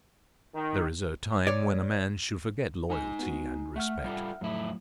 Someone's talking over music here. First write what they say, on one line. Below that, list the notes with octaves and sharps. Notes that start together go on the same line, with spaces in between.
There is a time when a man should forget loyalty and respect.
D#3
C#5 D5
D#4 G#5
B3 F#4
A3 E5 F#5 F6
G3 F4 A4
F2 A2 F#3 A3 E4